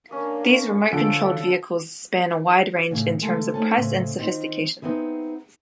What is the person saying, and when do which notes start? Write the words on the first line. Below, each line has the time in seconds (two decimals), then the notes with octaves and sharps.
These remote controlled vehicles span a wide range in terms of price and sophistication.
0.11 A#3 C#4 D4 D#5
0.93 D3 F3 F4 A4 D7
2.91 A2 C#3
3.21 C#3 G#3 A3 A4
3.54 A3 C4 C#4 D#4 A4
3.77 A2 C#3 C4
4.19 D#3 C4 F4
4.82 B3 C4 D#4 E4 G#4